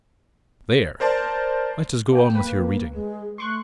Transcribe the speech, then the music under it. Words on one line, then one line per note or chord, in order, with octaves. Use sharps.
There! let us go on with your reading.
A#4 C5 D5 A5
A#3 G5
A#3 B4
G#3
A3 C6 C#6 F#6